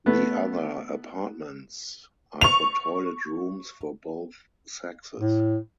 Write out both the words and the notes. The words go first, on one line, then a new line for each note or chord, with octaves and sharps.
The other apartments are for toilet rooms for both sexes.
A3 B3
C#6 F7
A2